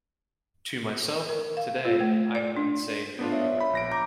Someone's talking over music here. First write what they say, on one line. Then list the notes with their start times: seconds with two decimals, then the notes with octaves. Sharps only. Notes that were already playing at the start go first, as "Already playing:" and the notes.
To myself - today - I need say no more.
1.29 A#4
1.57 F5
1.85 F4
2.00 A3
2.35 D5
2.57 D4
3.19 B3 D4 F4
3.32 C#5 E5
3.61 B5
3.73 A#1 A#6 D7
3.92 A#5 D6 G6